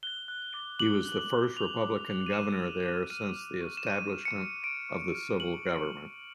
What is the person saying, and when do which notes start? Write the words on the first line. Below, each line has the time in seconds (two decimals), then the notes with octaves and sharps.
He was the first Republican governor there since the establishment of the civil government.
0.03 F#6 G7
0.28 F#6
0.54 D6
0.79 D6 F#7
1.06 F#6
1.31 F#6
1.56 D6 F7
1.82 D6
2.08 F#6
2.26 D#7
2.33 F#6 E7
2.59 D6
2.84 D6
3.10 F6 D#7
3.35 F6
3.61 C#6
3.77 E7
3.87 C#6 D#7
4.12 F6
4.25 C#7
4.38 F6
4.64 C#6 D7
4.89 C#6
5.15 F6
5.40 F6 F#7